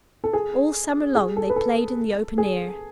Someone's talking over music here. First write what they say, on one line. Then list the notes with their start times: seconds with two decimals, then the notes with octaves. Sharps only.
All summer long they played in the open air.
0.24 A4
0.33 G#4
1.15 G#4
1.36 A4
1.50 B4
1.56 A4
2.38 G#4